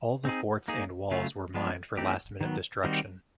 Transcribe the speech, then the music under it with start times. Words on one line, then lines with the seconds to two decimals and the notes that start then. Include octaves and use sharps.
All the forts and walls were mined for last-minute destruction.
0.25 C4 D#4 G#4
0.68 A#3 D#4 G#4
1.11 C#3 F#3 A3 C#4 F4
1.54 F3 G#3 B3 D4
1.97 E3 A3 C4 D#4 G4
2.41 D#3 F#3 B3
2.84 D#3 G3 C4 D#4 F#4